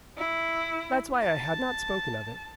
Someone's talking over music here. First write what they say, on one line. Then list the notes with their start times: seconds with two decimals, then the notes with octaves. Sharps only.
That's why I had not spoken of it.
0.18 E4
1.22 A5